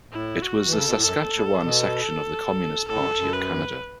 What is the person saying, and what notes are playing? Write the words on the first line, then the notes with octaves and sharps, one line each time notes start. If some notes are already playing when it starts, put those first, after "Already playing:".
It was the Saskatchewan section of the Communist Party of Canada.
A2 E4
F#4
E3
C#3 A4
B2
A2
F#2 A4
A2
B2
A2 A4
F#2
F#2
B4